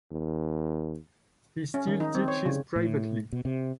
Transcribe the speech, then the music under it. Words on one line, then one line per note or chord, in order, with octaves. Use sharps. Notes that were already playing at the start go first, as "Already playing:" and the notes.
He still teaches privately.
D#2
C#4
D#3
D#4
C4
C#5
C#3
A2
B2
C3